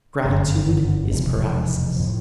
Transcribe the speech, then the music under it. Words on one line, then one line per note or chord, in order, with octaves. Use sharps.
Gratitude is paralysis.
G1 F#2 D3
F1 E2 B2
A2 F3